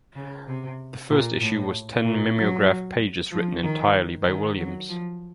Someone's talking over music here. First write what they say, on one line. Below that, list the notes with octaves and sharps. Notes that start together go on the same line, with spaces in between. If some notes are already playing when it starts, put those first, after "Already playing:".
The first issue was ten mimeographed pages written entirely by Williams.
C#3
C3
A#2
A2
A#2
F#3
F3
D#3
D#3
F#3
F3